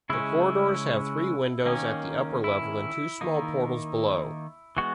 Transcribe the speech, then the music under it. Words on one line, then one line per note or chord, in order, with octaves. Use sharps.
The corridors have three windows at the upper level and two small portals below.
C#3 G#3 C#4 E4
D#3 A#3 C#4
E4
D#3 A#3 D#4
E3 G#3 B3 F#4